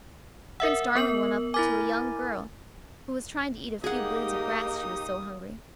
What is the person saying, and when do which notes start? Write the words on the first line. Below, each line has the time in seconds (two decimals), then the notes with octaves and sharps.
Prince Darling went up to a young girl who was trying to eat a few blades of grass, she was so hungry.
0.60 A#4 E5 F#5 E6
0.95 B3 A#4 F#7
1.54 E4 A#4 G#5 D6 A6
3.84 A#3 D#4 G4 G#4 F#5 D#6